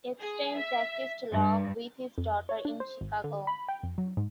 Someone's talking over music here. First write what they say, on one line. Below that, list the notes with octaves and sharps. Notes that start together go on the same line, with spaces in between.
Epstein practiced law with his daughter in Chicago.
G#4
E5
G2
F2
C#5
D4
C5
G#1
D3
B5
G5
F2
F#3
G#2